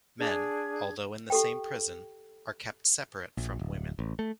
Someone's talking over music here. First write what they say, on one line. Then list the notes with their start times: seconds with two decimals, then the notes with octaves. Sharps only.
Men, although in the same prison, are kept separate from women.
0.19 D4 G#4 G#6
1.30 G4 A4 G5
3.37 A#1
3.59 D1
3.99 A1
4.19 A3